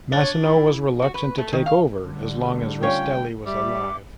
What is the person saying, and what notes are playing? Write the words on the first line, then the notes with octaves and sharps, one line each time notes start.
Massino was reluctant to take over as long as Rastelli was alive.
D4 C#5
E4
F#4
B4
A3
D#3
F5
D3 G3 A3
C#4 F4 C#5 G5
G3 E5 D6